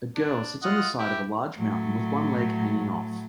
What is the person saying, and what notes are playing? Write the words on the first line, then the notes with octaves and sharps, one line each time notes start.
A girl sits on the side of a large mountain with one leg hanging off.
D4
F4 D#5 F#5
E4 G4
A2 F#3